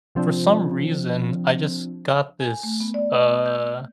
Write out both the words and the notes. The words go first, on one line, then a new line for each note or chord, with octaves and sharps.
for some reason, I just got this, uh,
C3 F3 C4 D4
G#5
A3
B3
D5
G6